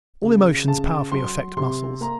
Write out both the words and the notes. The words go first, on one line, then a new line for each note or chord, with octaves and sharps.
All emotions powerfully affect muscles.
C#3
C#3 A5
F#3 C6
C3 C6
A#3 A#5